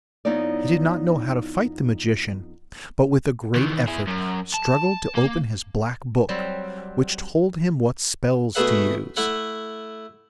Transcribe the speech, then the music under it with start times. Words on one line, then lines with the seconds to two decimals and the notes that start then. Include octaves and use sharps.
He did not know how to fight the magician, but with a great effort struggled to open his Black Book, which told him what spells to use.
0.25 F2 B3 D#4 E4 C#5 D5
3.56 D#3 E3
3.87 E4 G#4
4.07 F#2
4.54 A5
5.15 A#3
6.29 F#3 G3 C4
8.55 B2 A3 G#4 B4 E5 F#5
9.17 A3 E4 F#5